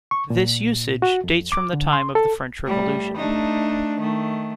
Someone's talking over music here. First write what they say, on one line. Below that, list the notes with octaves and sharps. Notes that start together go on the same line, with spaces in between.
This usage dates from the time of the French Revolution.
C#6
A#2
F#4
F2
D6
D3
C6
A4
A2 G3
A3 D4 D#4
D#3 A3